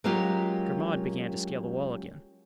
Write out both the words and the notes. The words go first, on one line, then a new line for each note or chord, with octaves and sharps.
Grimaud began to scale the wall again.
F#3 G#3 A#3 C#4 F4 G4